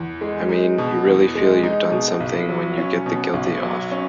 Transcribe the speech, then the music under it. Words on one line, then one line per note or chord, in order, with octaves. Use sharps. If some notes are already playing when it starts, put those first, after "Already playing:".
I mean, you really feel you've done something when you get the guilty off.
Already playing: E2
G#3
D#4
B2
E2
G#3
D#4
B2
B1
F#3
C#4
B2
B1
F#3
C#4